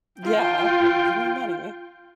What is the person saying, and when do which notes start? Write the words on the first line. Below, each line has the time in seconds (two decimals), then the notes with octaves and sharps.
Yeah. Give me money.
0.21 F4 G5